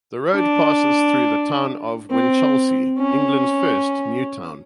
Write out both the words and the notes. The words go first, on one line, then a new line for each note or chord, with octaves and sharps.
The road passes through the town of Winchelsea, England's first new town.
D4
C4
C#4